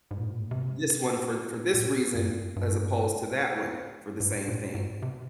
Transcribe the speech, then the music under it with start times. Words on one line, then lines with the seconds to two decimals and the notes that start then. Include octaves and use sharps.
th this one for for this reason, as opposed to that one for the same thing,
0.11 G#2
0.17 A#2
0.25 G#2
0.33 A#2
0.40 G#2
0.51 C3
1.74 A#2
2.15 G2
2.26 F2
2.36 G2
2.56 G2
4.20 G#2
4.48 A#2
4.75 G#2
5.02 C3